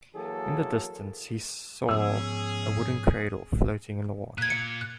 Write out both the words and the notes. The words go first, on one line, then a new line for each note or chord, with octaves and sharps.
In the distance he saw a wooden cradle floating on the water.
E3 F#3 A#3 G#4 A4
G#2 F3 B3 C#4 G#4 E6
A#2 F#6 G#6
C#7
F#6